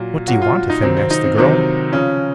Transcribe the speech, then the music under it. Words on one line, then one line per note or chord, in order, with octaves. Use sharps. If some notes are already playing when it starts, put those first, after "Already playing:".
"What do you want of him?" asked the girl.
Already playing: A#2 F#3
A#2 F#3 F#4
F4
D#4
C3 D#3 F#3 C4
C4
D#4
C4
C3 D#3 F#3 C4
C#3 F3 C#4